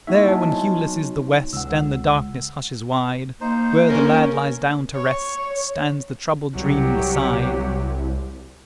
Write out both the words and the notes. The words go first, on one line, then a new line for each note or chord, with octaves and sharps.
There, when hueless is the west And the darkness hushes wide, Where the lad lies down to rest Stands the troubled dream beside.
A#3 D#4 E4 F#4 E5
F#3 D#5 G#5 A5
B3 D#4 C#5
C#2 F#5 E6
A#3 D#4 C5
C#4 A#4
C#5
C2 F#3 G4